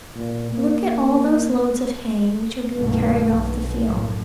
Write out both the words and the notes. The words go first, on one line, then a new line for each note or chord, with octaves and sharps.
Look at all those loads of hay, which are being carried off the field.
A#2
A#3
C2 G2 B2 D#3 A3 A#3
B1 B2
F#2 A2